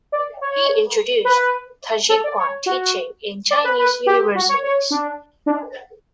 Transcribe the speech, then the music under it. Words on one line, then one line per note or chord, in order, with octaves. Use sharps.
He introduced Taijiquan teaching in Chinese universities.
D5
C#5
B4
A4
D5
C#5
F#4
D5
B4
B4
G4
F#4
C#5
C#5
D4
D4